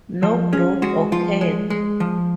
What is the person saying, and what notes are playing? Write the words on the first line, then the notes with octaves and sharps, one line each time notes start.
No growth occurred.
F3
C#4 G#4
G#3 F#4
F3 F4
G#3
G#3
F3